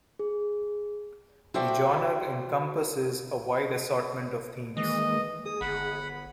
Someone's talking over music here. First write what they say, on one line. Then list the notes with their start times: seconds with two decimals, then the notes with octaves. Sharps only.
The genre encompasses a wide assortment of themes.
0.19 G#4
1.54 F#4 A4 C5 D5 E5 G5
4.77 D#3 E3 G#3 A#3 D#5
5.45 G#4 D#6
5.61 G1 F#5 B5